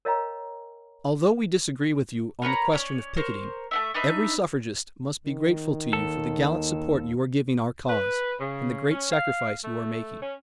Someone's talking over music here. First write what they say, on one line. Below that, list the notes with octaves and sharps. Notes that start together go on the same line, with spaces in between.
"Although we disagree with you on the question of picketing every suffragist must be grateful to you for the gallant support you are giving our cause and the great sacrifice you are making."
A#4 C#5 D#5 F5 G5 A#5
A#4 B4 C#5 A#5
C#4 C#5 D5
A#4 C5 C#5
A3 C4 E5
D4 D#4 B4 E5
D#3
D#2 A4
B4
C#3
C#4
F5
A3
C#4